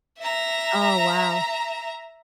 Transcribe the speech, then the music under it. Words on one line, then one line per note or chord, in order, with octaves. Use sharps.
Oh, wow.
E5 A#5